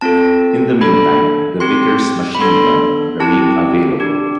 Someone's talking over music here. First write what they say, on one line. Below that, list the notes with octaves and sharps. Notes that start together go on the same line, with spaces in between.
In the meantime, the Vickers machine gun remained available.
C4 F4 A4 A5
D4 A4 B5
C4 G4 C6
B5
B3 D4 A4 C6
C4 E4 G4 A5
D4 G4